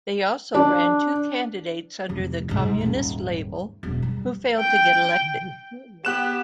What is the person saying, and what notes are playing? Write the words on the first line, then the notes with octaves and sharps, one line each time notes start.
They also ran two candidates under the Communist label, who failed to get elected.
D4
F1 C2
C2 G#2
D#1 G#2
E1 F#2
G3
G5
B3 G4 F#6 E7